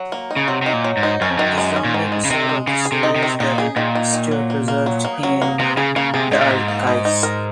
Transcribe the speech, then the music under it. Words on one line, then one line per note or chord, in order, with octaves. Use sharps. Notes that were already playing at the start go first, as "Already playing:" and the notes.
It is the only episode of the series that it still preserved in the archives.
Already playing: F#3
A#3
D#4
C#3
C3 F#3
C3 D#4
A#2
F#3
G#2
D#4
F#2 C#4
F2
F#2 D#3
G#3
C#4
A#2
G#2 D#3
G#3
C#3
C3 D#3
G#3
C#3 G#4
G#4
C3
D#4
C3
D#3
A#2 D#4
G#4
A#2 D#3
D#4
D#3
F#3
A#3
A#3
F#3
A#3
F#3
A#3
C3 A#3
C#3 G#4
C#3 A#3
C3 G#4
G#2 D#4
A#2
G#2 A#3
A#3
D#4
D#4
A#4